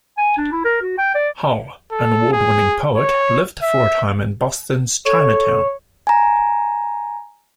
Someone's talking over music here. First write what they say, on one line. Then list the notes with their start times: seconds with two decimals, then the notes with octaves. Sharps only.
Hull, an award-winning poet, lived for a time in Boston's Chinatown.
0.18 G#5
0.37 D4
0.51 E4
0.64 A#4
0.82 F#4
0.98 G5
1.15 D5
1.91 A4
2.33 G#4
2.96 C#5
3.62 E5
5.05 A4 C#5
6.07 G#5 A#5